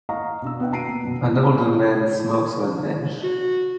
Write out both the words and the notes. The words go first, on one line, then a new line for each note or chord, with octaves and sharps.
An older man smokes on a bench.
D#5 F5 F#5 A#5 C#6
B2 D4 E6
B3 B4 F#5 G5
B2 A5 A#5 C7 D7 D#7
A#3 B3
F#1 B2
F#4